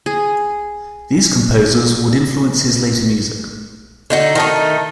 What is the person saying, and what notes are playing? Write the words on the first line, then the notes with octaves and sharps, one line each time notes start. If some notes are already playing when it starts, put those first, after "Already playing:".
These composers would influence his later music.
G#4
D3 D#4 F#4
D#3 A3 D#4